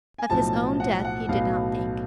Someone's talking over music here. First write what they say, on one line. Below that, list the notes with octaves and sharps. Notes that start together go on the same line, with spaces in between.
Of his own death he did not think.
G#5
B1 A2 F3 A5
F#5
F#5
B1 A2 F#3 B3 F5